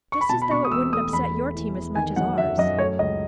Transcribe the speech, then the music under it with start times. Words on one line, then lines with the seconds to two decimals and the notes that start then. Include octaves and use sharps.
Just as though it wouldn't upset your team as much as ours.
0.12 C#6
0.21 B5
0.29 B2 A5
0.42 B5
0.50 B2 C#6
0.65 D#6
0.72 E1 E6
0.92 A3 D#6
1.13 E2 B5
1.34 A3
1.55 E3
1.75 E2
1.95 D#3 G#5
2.16 F#3 F#5
2.37 F#2 E5
2.58 F#2 D#5
2.78 A3 C#5
2.99 C#2 D#5